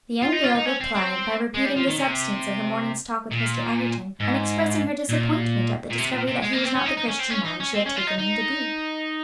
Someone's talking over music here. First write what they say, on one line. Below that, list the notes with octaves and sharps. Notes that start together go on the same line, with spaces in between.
The young girl replied by repeating the substance of the morning's talk with Mr. Egerton, and expressing her disappointment at the discovery that he was not the Christian man she had taken him to be.
F4
D#4
F4
D#4
C#4
C4
C4
G#3
G3
F3
D#3
C3
A#2
G#2
A#2
A#2
C3
A#2
C3
G#3
A#3
C4
C#4
D#4
D#4
C#4
C4
C#4
D#4
C#4
C4
C#4
F4
D#4
D#4